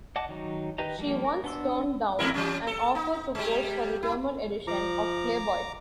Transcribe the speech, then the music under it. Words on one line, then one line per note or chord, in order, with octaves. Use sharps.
She once turned down an offer to pose for the German edition of "Playboy".
D#5 F#5 A5 D6
D#3 F#3 D#4
D#3 G4 B4 D#5 A#5
F3 G3 A#3
A#4
B3 D4 C6 E6
E2 E4 A#4
E3 G3 C#4
A4
D#4
G3 G#3
E4
F3 A#5 D6